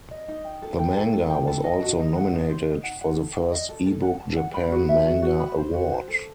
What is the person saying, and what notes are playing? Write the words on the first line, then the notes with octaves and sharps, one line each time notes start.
The manga was also nominated for the first Ebook Japan manga award.
D#5
D#4
G5
A4
G5
A4
A4
G5
A4
D#5
F#4
D#4
F#5
D#4
C5
D#4
F#5
F#5
A4
F#5
D#5
A4
A4
F#5
A5
F#5
B5
F#4
E5
F#4
F#4
B5
C5
F#4
C5
A4